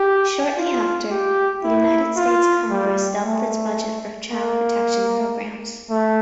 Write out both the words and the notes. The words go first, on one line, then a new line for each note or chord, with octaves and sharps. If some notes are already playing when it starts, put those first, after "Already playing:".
Shortly after, the United States Congress doubled its budget for child-protection programs.
Already playing: G4
F4
G4
E4
F4
G3
A3
A#3
A3